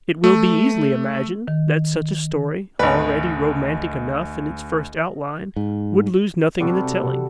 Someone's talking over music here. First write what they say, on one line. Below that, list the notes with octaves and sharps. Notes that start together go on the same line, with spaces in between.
It will be easily imagined that such a story, already romantic enough in its first outline, would lose nothing in the telling.
A3
D#3
G#1 D2 B4
G#2
C3 G3 F#4 A4